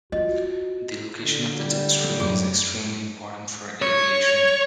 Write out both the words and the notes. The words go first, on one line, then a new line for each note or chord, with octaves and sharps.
The location of the jet stream is extremely important for aviation.
F4 F#4 D#5
D3
G3
F#2 G#4
C#5